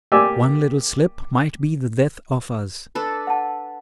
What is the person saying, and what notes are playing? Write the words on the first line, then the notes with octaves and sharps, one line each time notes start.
One little slip might be the death of us.
A#3 G4 D5 G#5 E6
D4 A4 B4
F#5 A5